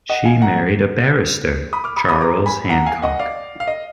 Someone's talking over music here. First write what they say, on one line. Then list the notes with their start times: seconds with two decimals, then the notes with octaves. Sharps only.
She married a barrister Charles Hancock.
0.10 D#5 F#5
0.25 F5 G#5
0.42 F#5 A#5
1.73 B5 D#6
1.84 D6 F6
1.96 B5 D#6
2.09 B5 D#6
2.21 A#5 D6
2.46 G#5 B5
2.70 F#5 A#5
2.86 F5 G#5
3.02 D#5 F#5
3.19 D5 F5
3.60 F5
3.67 D#5